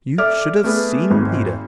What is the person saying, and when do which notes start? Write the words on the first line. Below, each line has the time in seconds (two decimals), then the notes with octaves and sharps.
You should have seen Peter.
0.18 A4 D5 E5 D6 F6
0.64 A3 B3 G#4 B4
1.11 G#1